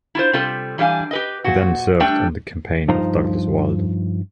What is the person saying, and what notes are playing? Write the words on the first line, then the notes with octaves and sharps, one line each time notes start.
He then served on the campaign of Douglas Wilder.
E4 F4 C5
C3 G3 F4 A4
E3 G3 D4 F5 G#5
G4 B4 D#5
A#2 F#4
G3 A3 D4 G5
G2 F3 D#4 C5 A#5